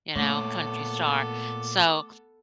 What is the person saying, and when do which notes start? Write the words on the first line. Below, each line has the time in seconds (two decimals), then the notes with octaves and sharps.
you know, country star." So,
0.15 A#2 A3 B3 A4 C#5 D6